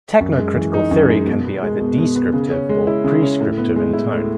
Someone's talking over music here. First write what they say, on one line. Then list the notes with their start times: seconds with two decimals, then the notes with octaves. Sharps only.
Technocritical theory can be either "descriptive" or "prescriptive" in tone.
0.20 F#2
0.38 G#3
0.55 E3
0.74 D#4
0.91 F#2
1.09 G#3
1.27 B2
1.44 B3
1.63 G#3
1.80 B2
1.98 B2
2.16 B3
2.33 C#3
2.51 C#4
2.69 G#3
2.87 E4
3.04 C#3
3.22 C#4
3.41 A2
3.58 B3
3.76 G#3
3.93 E4
4.12 A2